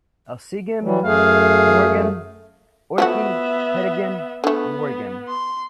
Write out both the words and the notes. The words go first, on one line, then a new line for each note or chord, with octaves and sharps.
Elsegem, Moregem, Ooike, Petegem and Wortegem.
E3 F#3 G3
F#2 A3 G#4 F5
F3 A3 B3 F#4 E5
D3 A3 B3
C6